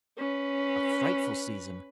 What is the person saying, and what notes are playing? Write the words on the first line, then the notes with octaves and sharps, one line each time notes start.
A frightful season!
C#4 B4